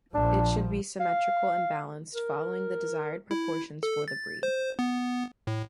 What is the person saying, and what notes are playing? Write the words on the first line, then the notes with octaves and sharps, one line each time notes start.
It should be symmetrical and balanced, following the desired proportions for the breed.
A#1 F3 D4
F5
A#4
E4
A4
A6
C5
B3
A2